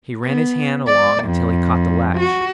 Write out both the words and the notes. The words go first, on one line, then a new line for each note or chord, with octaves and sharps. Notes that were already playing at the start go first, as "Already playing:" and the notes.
He ran his hand along until he caught the latch.
B3
D5
F2
F#4